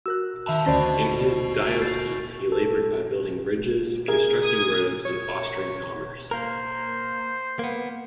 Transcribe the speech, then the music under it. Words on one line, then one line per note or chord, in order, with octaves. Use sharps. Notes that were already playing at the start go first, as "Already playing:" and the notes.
In his diocese he laboured by building bridges, constructing roads, and fostering commerce.
F#4 A#4 E6 F#6
D#3 E5 F5 A5 B5
D2 C#4 F#4 C5 D5 D#5 A5
G6 A6 C7
A4
G#4 A#4 G#6
D#6 G#6
C#5
A#3 A#4 C5
A#3 B3